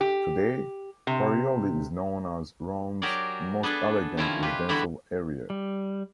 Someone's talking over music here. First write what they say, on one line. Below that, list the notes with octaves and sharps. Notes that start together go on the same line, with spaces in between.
Today, Parioli is known as Rome's most elegant residential area.
G4
C3
F#3 G4 G#4 A#4 D5
B3 D4 G#4 A4 B4
C3 D#3 F3 C#4 E4 F4
F4 G4 B4
E2 D3 G3 E4 F#4 B5
G3